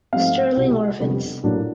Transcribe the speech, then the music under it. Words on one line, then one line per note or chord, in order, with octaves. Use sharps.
Sterling Orphans.
G#2 F3 A3 C4 F5
F#5
C2 B2 G3
F1 F2 D3 G3 B3
A#1 A2 F#3 A#3 D4